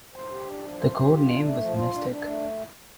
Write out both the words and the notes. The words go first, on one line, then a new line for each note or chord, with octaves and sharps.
The code name was Mystic.
C5
G4
D4
F3
C5
G4
F4
D4
A3
F3
F4
D4
D4
A3